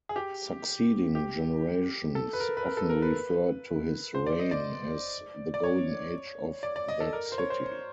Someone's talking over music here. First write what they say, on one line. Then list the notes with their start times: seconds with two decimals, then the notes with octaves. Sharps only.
Succeeding generations often referred to his reign as the golden age of that city.
0.09 G#4
0.16 G4
1.15 G4
2.15 A4
2.33 B4
2.40 A#4
2.57 B4
2.65 A#4
2.77 A4
2.89 A#4
3.02 B4
4.15 C5
4.26 D5
4.39 D#5
4.51 D5
5.54 D5
5.64 C#5
6.63 D5
6.76 D5
6.88 D#5
7.00 A4
7.13 A#4
7.32 C5
7.38 C#5
7.50 C5